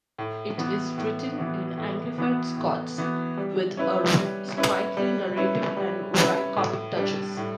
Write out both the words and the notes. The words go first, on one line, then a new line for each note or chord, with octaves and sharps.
It is written in anglified Scots, with a sprightly narrative and wry comic touches.
A2
E3 B3 F#4
A2
E3 B3 F#4
A2
E3 B3 F#4
A2
E3 B3 F#4
G3
C#4 E4 B4
G3
C#4 E4 B4
G3
C#4 E4 B4
G3
C#4 E4 B4
A2
G3 D4
A2